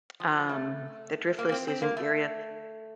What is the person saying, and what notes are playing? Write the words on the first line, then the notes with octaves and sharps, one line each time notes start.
um, the Driftless is an area
F3
A3
A#3
A#3
C4
C4
A#3
A3